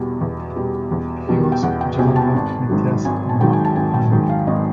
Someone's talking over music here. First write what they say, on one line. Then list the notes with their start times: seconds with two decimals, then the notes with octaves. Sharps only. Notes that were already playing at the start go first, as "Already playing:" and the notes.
He was general of Mathias' Black Army.
Already playing: E2 B2 G3
0.21 E2
0.56 B2 G3
0.92 E2
1.28 B2 G3
1.52 G5
1.63 E2 F#5
1.81 G5
1.99 B2 G3 G#5
2.16 A5
2.34 G#1
2.70 G#2 D#3 F#3
3.05 G#1 G#5
3.29 A5
3.41 G#2 D#3 F#3 G5
3.53 G#5
3.65 A5
3.76 G#1 G#5
3.94 G5
4.12 G#2 D#3 F#3
4.29 F5
4.47 G#1 D#5